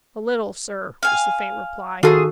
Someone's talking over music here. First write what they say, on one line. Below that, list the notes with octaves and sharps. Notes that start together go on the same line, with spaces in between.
"A little, sir," was the faint reply.
F5 G#5
D#3 F4 F#4 G#4 A4